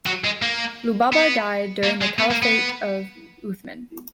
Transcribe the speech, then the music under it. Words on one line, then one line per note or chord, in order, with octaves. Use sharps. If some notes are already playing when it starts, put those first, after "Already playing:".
Lubaba died during the caliphate of Uthman.
F#3
G#3
A#3
B3
A#3
G#3
B3
A#3
B3